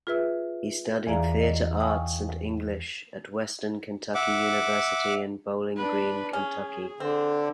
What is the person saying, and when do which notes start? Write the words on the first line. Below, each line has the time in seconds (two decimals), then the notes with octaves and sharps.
He studied Theatre Arts and English at Western Kentucky University in Bowling Green, Kentucky.
0.07 F4 G#4 B4 E5 E6
1.07 E2 E3 G#4 D5 F5 A#5
1.39 D#5
1.80 F5 G5 G#5 C#6 D#6
4.15 E5 F#5 D6
5.76 D4 B4
6.33 C#4 G#4
7.00 D3 C4